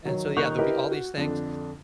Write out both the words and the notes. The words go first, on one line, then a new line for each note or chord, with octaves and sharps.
And so yeah, there'll be all these things,
D#3 F#3
D#1 D#3 C#6 F#6 G6 F7
E4 G4 A#4 B4 D#5
F#4
F2 D3 D4